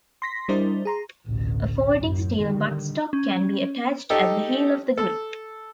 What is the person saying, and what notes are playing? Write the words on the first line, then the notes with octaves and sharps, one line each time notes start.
A folding steel buttstock can be attached at the heel of the grip.
C6 A#6 B6
G3 D4 E4 A#4 C5 D#5
G#4 A#5 C6
A1 D2 B2
F#2
D3 D#3 G3
C#4
D#4 G4 A4
A4